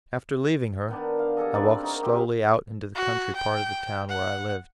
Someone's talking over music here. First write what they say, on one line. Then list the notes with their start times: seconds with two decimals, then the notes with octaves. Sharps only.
After leaving her, I walked slowly out into the country part of the town where I lived.
0.88 D#3 B3 D4
1.19 F5
1.37 D4 G#4 A4 D#5
1.54 C4 D#4 B4 D5
1.83 D#4 F#4 A#4
2.03 C4 G4 C6
2.95 F#4
3.36 G5
4.09 F#5